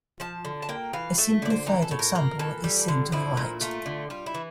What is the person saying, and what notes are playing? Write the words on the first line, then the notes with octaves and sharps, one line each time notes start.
A simplified example is seen to the right.
F3 A5
D3
A5
A#3 G5
E3 F5
A3 E5
D3 D5
C5
E3 A#4
A4
A2
A#4
A#3 A#4
E3 A4
G3
D3
F3 E4
A#2
A3 F4
D3
G3 F4
E4
E3